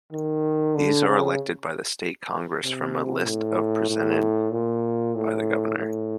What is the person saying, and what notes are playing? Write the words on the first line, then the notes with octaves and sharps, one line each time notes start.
These are elected by the state congress from a list presented by the governor.
D#3
D3
C#3
C3
A2
A2
A#2
A2
A2